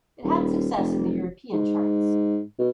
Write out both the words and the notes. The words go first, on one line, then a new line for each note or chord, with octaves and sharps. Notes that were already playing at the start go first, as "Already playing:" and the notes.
It had success in the European charts.
D#1
F1
G#2
B2